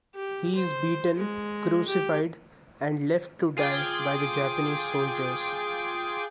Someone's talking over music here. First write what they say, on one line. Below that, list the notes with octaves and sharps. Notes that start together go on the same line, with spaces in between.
He is beaten, crucified, and left to die by the Japanese soldiers.
G4
C5
G#3
G4
F4 G#4 G5 D6